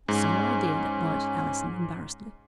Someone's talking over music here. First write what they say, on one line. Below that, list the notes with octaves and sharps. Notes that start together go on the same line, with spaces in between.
"So I did," acknowledged Allison embarrassedly.
G#2 C#4